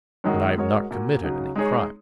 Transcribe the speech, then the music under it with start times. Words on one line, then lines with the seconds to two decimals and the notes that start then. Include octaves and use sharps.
And I have not committed any crime.
0.24 F#2 D#3 G#3 F#4
0.58 G#2 G#3 F#4 A#4 C#5
0.91 A#2 A#3 F#4
1.23 C#3 F#3 D#4
1.56 G#3 D#4 G#4 C#5